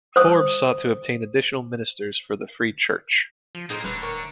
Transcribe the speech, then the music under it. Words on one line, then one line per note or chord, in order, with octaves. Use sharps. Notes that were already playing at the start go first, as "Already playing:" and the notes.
Forbes sought to obtain additional ministers for the Free Church.
C5 D#6
F3
A2 A#3 D#4 G#4 C5
D#1 D3 B4 A#5
A#4 C#5